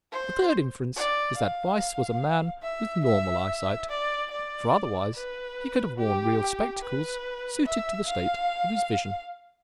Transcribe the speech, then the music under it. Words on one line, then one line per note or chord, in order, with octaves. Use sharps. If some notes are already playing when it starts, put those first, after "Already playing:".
The third inference is that Weiss was a man with normal eyesight; for otherwise he could have worn real spectacles suited to the state of his vision.
C5
D5
F5
E5
E5
D5
D5
B4
G4
B4
E5
F5